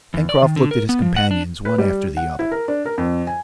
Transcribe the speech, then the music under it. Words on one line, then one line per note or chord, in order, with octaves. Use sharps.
Pencroft looked at his companions one after the other.
E2
D5
D#3
D3
A#4
B3
F3
F#5
D4
B4
G3
F#5
E4
A#4
D4
A#4
F2
G#5